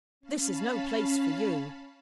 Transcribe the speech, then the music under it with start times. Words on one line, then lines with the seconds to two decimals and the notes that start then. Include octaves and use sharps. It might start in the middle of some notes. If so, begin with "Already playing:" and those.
'This is no place for you.'
0.20 C#4 F5 A5 B5